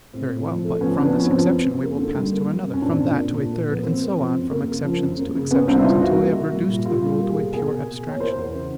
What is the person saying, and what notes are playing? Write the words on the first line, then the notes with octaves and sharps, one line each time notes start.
Very well; but from this exception we will pass to another, from that to a third, and so on from exceptions to exceptions, until we have reduced the rule to a pure abstraction.
A2 C4
A2
F3
A3
F3 B3 C#4
F3 B3 C#4 D4
F3 C#4
C4
F3
F#2
F#2
A#3
D3
G3
A#3
A#3
F#2
C#4
A#2 C4 D4
A#2
A#3
A#2
A#3
F3 B3
A#3 C4
A#3
F3 C4
F#2
A#3
C#3
F3
F#2
A#3
C#3
A#3 B3 C#4
C2 C4 D4
E4
C2 D#4 F4
C2 E4 F#4
A#3
A#3
G3
A#2
A#3 F4 G4
G3
F4 G4
A#3
G#4 A#4
B2
B2 G#4 A#4
B2
B2
A#3
C#5
E3 A#4 C5
E2
C#3